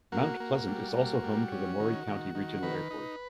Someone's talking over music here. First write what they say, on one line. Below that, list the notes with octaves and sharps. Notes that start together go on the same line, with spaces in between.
Mount Pleasant is also home to the Maury County Regional Airport.
A#3 F#4
A#3
G3
A#3
G3
C#4
D#3
D#3
D#3
D#3 B4
D#4